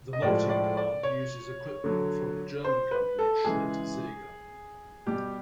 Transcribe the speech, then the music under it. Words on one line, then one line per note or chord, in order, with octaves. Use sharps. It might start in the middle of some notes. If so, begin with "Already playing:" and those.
The malting plant uses equipment from the German company Schmidt-Seeger.
D#5
A2 F3 G#3 D5
D5
D5
C#5
D3 F#3
C5
B4
A4
C#3 E3 G#3 G#4
B2 G3 G4